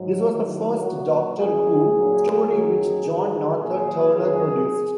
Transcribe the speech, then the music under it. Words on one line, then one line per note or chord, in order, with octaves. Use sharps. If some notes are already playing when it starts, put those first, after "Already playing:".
This was the first "Doctor Who" story which John Nathan-Turner produced.
Already playing: G#2 F#3
E2 D#3 F#3
A#2 F#3 F#4
F#2 E3 G#4
A#2 F#3
F#2 D#3 F#3
G#2 D#3 F#3 G#4
A#2 F#3 G#4
F#2 D#3 F#3